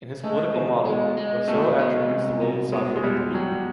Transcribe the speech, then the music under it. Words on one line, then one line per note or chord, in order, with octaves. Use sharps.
In his political model, Rousseau attributes the role of sovereign to the people.
G#3 A3
B2
G#3
G#3
B2 A3
G#3
C2
B2
B2 G#3
G#3
B2 G3
F#3 G3